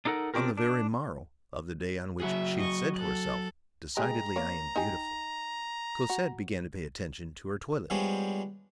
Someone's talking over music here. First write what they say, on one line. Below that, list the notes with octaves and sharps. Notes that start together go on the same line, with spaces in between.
On the very morrow of the day on which she had said to herself: "Decidedly I am beautiful!" Cosette began to pay attention to her toilet.
D4 D#4 A4 A#4 F#5
C4 D4 F4 G4 A#4
D4
F#3 F#4 G#4 E5
D#5 C#6
A4 F#6
G#3 G4 G#4 A#5
A#3 C#5
D#4 G4 G#5
F#4
F3 G3 G#3 B3 D4 C#5